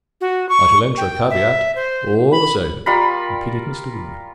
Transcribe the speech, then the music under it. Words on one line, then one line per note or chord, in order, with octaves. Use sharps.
"I shall enter a caveat, all the same," repeated Mr. Winwood.
F#4
C#6
G5
E5
C5
B5
G3 F4 A#4 B5